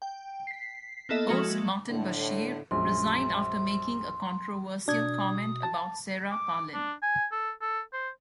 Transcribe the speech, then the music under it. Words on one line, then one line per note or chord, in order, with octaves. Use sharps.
Host Martin Bashir resigned after making a controversial comment about Sarah Palin.
G5
B6 C7
A#3 B3 E4 A4 D#5 E5
F3 G#3 A#3 F#4 A4
A2 D3
A#1 F#2 G#3 C6
B2 D4 D#6 G#6
A5
D6
D4
G#5
A4
A4
C5